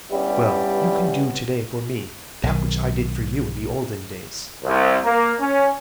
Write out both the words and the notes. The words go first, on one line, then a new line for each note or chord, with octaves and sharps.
"Well, you can do to-day for me that which I did for you in the olden days."
G2 G3 B3 C#4 E4
B1 D#3
C2
A#3
C#4